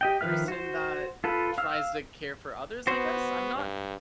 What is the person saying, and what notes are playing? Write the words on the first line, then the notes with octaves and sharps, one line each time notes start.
person that tries to care for others, I guess? I'm not
G4 D#5 G5
D#3 F3 B4 E5 F6
F#4 C5
F4 A4 B4
F5 E6 F6
B3 F#4 C5
G2